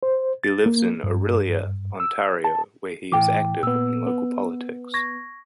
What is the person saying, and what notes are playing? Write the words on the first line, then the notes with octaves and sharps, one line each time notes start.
He lives in Orillia, Ontario, where he is active in local politics.
C5
A6
A#3
G2
E6
A5
A2 E3 G5 D6
A#2 B3 E6
B3
C#6 G#6 A#6